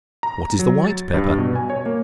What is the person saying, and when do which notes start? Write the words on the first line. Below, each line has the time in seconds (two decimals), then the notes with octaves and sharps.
What is the White Pepper?
0.23 A#5
0.59 F#3
0.85 A6
1.14 G2
1.38 B2
1.55 G#5
1.70 C#5
1.86 A#3